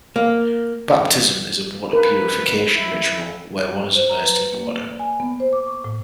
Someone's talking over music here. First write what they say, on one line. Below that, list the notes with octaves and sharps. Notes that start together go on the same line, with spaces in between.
Baptism is a water purification ritual where one is immersed in water.
A#3
A#4 B4
E4
C5
A#5
B4
A#3
D5
G#5
B3
C5
D6
C#6
A2